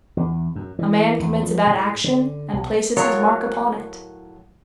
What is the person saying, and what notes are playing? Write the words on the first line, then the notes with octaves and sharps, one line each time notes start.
A man commits a bad action, and places his mark upon it.
E2
F#2
E3
E2
F3
A2
D3
B1
A2 F#3 F4 A#4 C#5 A#5